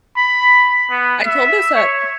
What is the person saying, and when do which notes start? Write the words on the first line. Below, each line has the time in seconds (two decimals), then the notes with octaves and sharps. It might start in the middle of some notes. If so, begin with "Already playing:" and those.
I told this at,
0.16 B5
0.90 B3
1.25 E5
1.75 C#5